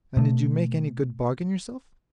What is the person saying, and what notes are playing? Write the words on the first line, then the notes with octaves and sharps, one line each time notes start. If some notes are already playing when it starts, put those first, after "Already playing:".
'And did you make any good bargain yourself?'
B2 A3